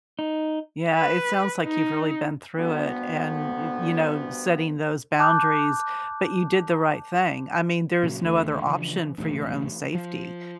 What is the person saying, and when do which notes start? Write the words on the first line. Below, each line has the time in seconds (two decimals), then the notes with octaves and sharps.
Yeah, it sounds like you've really been through it, and, y you know, setting those boundaries, but you did the right thing, I mean, there's no other option for your own safety.
0.19 D#4
0.94 B4
1.66 D#4
2.58 D2 G2 B3
5.19 A5 D6 F#6 G6
8.03 A#2 C#3 F#3
8.23 D#2 D3 F#3 A3
8.66 C#3 E3 F3 D4
9.18 E1 A1 D2 G#2
9.95 F3